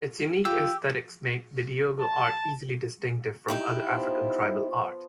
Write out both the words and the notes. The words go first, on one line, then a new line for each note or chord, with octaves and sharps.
Its unique aesthetics make Bidyogo art easily distinctive from other African tribal art.
F4 G4 E6
A5
D#4 E4 G4
F3 B3